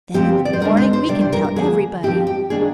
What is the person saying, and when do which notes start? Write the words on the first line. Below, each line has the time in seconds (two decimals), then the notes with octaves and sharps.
"Then in the morning we can tell everybody."
0.14 F3 C4 G4
0.45 D5
0.53 C5
0.61 D3 G#3 D4 A#4
0.77 C5
0.93 C5
1.08 C3 G3 D4 D5
1.20 C5
1.33 A#4
1.44 A#4
1.56 D3 F3 A#3 G#4
2.03 C4 G4
2.07 F3
2.27 G4
2.50 D#3 A#3 D4 G#4